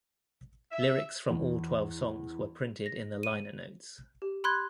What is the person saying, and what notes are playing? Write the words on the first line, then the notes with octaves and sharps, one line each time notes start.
Lyrics from all twelve songs were printed in the liner notes.
E5
E2
A#6
D#7
G4
B5 C6 F#6 G#6